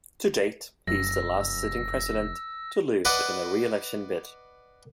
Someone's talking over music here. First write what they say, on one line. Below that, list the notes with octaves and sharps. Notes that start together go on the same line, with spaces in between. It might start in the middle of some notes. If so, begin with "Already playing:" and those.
To date, he is the last sitting president to lose in a re-election bid.
F1 F#2 E6 A#6
B4 D5 D#5 F#5